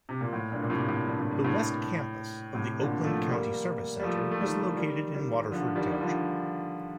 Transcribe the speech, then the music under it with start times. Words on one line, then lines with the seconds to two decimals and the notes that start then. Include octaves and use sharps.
The West Campus of the Oakland County Service Center is located in Waterford Township.
0.09 C3
0.21 A#2
0.33 A2
0.52 G2 A#2
0.62 A#2
0.70 A2 C3
0.88 A2
1.07 G2
1.20 A2
1.31 G2
1.44 A2
2.55 A2 C3
2.79 A#2 D3
3.04 F3 A3
3.29 G3 A#3
4.00 G3
4.03 F3 A3
4.31 A3
4.40 D#3 G3
4.77 D#3 G3
5.14 D#3 G3
5.51 D3 F3
5.75 D#3 G3
5.91 G3
6.01 D3 F3